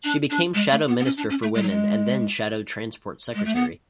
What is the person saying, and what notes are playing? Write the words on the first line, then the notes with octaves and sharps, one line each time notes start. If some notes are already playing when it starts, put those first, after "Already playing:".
She became Shadow Minister for Women, and then Shadow Transport Secretary.
D4
D4
G#3
A3
B3
B3
C#4
D4
C#4
A3
G#3
F#3
G#3
G#3
A3
B3